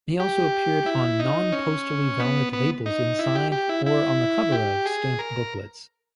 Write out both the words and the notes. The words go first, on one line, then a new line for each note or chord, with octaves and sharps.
He also appeared on non-postally-valid labels inside, or on the cover of, stamp booklets.
G4
E4
D#4
C#4
B3
B3
D#4
E4
G4
G4
E4
E4
G4
G#4
A#4